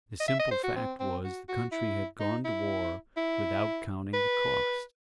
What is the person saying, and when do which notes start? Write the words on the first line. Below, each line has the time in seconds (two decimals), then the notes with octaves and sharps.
The simple fact was, the country had gone to war without counting the cost.
0.20 D#5
0.28 E5
0.39 D#5
0.51 C5
0.63 F#4
0.76 C4
1.00 C4
1.24 F#4
1.49 F#4
1.72 E4
2.20 D#4
2.45 E4
3.17 E4
4.13 B4